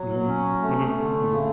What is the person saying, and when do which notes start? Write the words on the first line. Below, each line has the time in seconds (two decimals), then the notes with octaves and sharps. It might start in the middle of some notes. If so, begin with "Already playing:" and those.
Mhm, mhm, mhm.
Already playing: F#3
0.28 C#4
0.62 A3
0.97 D3
1.31 C#3